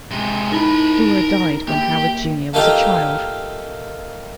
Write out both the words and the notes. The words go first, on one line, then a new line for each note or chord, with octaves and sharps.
Dora died when Howard Junior was a child.
C3 G#3
D#4 E4 A#4 A5 B5
A#3 G4
A3 A#3 D#4 F4 G4 F5